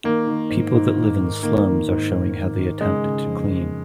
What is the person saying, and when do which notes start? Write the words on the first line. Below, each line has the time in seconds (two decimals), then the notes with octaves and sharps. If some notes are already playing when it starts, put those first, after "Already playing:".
People that live in slums are showing how they attempt to clean.
0.04 D#3 A#3
0.28 D#3
0.50 G#2
0.74 G#2
0.96 D#3
1.20 D#3
1.43 D#3 A#3
1.66 D#3
1.88 G#2
2.12 G#2
2.35 D#3
2.58 D#3
2.81 C#3 G#3
3.05 C#3
3.26 F2
3.51 F2